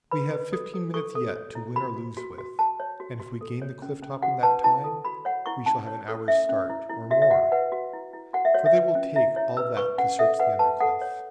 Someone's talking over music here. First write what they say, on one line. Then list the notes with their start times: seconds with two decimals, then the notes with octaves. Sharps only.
We have fifteen minutes yet to win or lose with, and if we gain the cliff-top in that time we shall have an hour's start, or more, for they will take all that to search the under-cliff.
0.11 B4 B5
0.33 B4
0.53 A4
0.74 A4
0.94 A4 C#6
1.15 A4
1.36 C#5
1.55 E4
1.76 F#4 B5
1.97 F#4
2.17 F#4
2.38 F#4
2.59 F#4 A5
2.80 C#5
3.00 F#4
3.20 F#4
3.41 A4
3.62 C#5
3.82 C#4
4.02 C#4
4.22 F#4 F#5
4.43 B4 A5
4.64 E4 A5
4.84 A4
5.05 F#4 B5
5.25 C#5 F#5
5.46 E4 C#6
5.66 C#4 A5
5.88 C#5
6.08 A4
6.28 C#4 E5
6.49 C#4
6.70 E4
6.90 E4
7.11 F#4 E5
7.22 E5
7.31 F#4 F#5
7.52 B4 F#5
7.72 F#4
7.93 E4
8.13 E4
8.33 F#4 F#5
8.45 E5
8.54 F#4 C#5
8.66 E5
8.75 B4
8.95 C#4
9.16 E4 E5
9.36 E4 C#5
9.57 B4 E6
9.77 B4 C#6
9.98 C#4 F#5
10.19 A4 E5
10.40 B4 F#5
10.59 B4 A5
10.80 A4 F#5
11.02 C#5